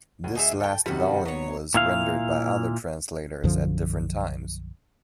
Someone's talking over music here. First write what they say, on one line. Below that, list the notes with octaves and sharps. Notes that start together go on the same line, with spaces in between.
This last volume was rendered by other translators at different times.
D2
D#4 G#4 E5
A4 G5
F#2 C3 D#3 G3 F#5
F#3 B3 C#5
A#2 E4 F5
B1 F#2 D3 F3